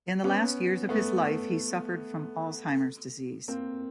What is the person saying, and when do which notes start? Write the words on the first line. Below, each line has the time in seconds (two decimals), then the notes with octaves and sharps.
In the last years of his life he suffered from Alzheimer's disease.
0.24 B3 C#4
0.89 A3 B3
3.48 A#3 C4